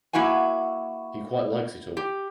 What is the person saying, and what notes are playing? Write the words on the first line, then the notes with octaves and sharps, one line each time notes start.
He quite likes it all.
A#3 E4 F#4 E5 G#5
G4